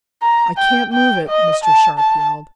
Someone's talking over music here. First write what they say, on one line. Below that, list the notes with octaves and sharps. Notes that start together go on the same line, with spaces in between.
"I can't move it!" Mr. Sharp yelled.
A#5
G5
G5
D#5
A5
A5